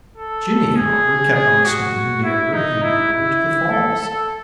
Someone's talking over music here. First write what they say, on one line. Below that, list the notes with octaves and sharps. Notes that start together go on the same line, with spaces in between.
Jimmie, however, kept on swimming nearer and nearer to the falls.
A4
G#4
G#4
F#4
E4
D#4
E4
E4
A4
A4